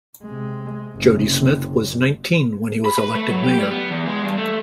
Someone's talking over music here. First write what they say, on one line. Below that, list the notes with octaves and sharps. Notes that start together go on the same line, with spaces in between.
Jody Smith was nineteen when he was elected mayor.
C3 G#3
F#1 C3
B5
B4
A3
F#3
G4
G3
B3
E2
G#3
G2
A3